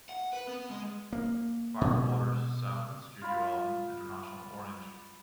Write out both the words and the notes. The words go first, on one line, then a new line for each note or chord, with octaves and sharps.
Firewater's seventh studio album, International Orange!
F#5
B4
B3
G#3
A#3
B2
F4 B5